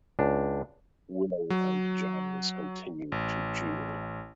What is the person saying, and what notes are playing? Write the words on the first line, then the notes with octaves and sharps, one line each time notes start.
Willow and Giles continue to duel.
C#2 D4
F#3
A1